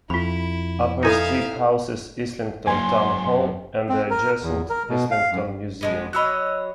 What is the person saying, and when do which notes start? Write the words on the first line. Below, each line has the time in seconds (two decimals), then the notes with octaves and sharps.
Upper Street houses Islington Town Hall, and the adjacent Islington Museum.
0.10 F2 E4 F4 B5
1.03 D#4 E4 A4 E5 F5 G#5 B5
2.67 F#2 A#3 G#5 C6
3.89 C4
4.10 A#4
4.43 E2
4.70 A#4
4.89 B2
5.11 F5
5.31 F#2
5.81 F3 G#3 B3
6.13 F#3 C#5 D#5 B5 E6 F#6